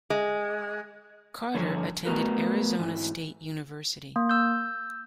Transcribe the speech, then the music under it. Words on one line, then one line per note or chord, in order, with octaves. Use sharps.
Carter attended Arizona State University.
G#3
G2 D3 F3 C#5
A3 B3 F#4 A#4 B4
G#2 E3
A#3
E6 G6